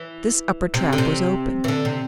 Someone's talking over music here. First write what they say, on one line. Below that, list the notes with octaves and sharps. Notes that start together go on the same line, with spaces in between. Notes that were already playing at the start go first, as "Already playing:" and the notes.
This upper trap was open.
Already playing: E3
C3
D3
C3
E3
D3
C3